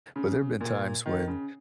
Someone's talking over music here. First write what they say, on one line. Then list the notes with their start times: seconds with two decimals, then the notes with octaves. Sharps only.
but there've been times when
0.16 C#3
0.61 A#2
1.06 D#3
1.28 C#3